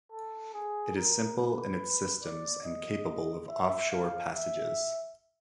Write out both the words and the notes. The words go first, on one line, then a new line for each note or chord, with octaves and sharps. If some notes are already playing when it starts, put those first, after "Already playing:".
It is simple in its systems and capable of offshore passages.
A4
G#4
A#4
B4
D5
D#5
E5
F5
E5